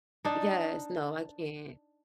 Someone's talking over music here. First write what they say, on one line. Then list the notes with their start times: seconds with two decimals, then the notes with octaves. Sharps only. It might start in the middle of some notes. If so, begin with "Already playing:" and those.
Yes, no, I can't.
0.25 D4 D#4